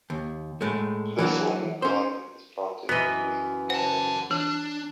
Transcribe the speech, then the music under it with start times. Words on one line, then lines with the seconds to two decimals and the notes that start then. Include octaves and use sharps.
The formal garden is planted between May and June.
0.10 D#2
0.61 A2 G#3 A3
1.18 E3 F#3 A#3 D4
1.82 C#4 C5
2.89 F#2 E3 B3 D#5
3.70 C5 F#5 A5
4.31 E3 D4